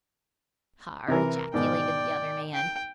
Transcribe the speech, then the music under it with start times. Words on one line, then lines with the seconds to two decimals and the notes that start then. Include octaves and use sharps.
"Har!" ejaculated the other man.
1.08 C3 E3 A#4
1.54 G#2 B2 D#3 D5 G5
2.54 G5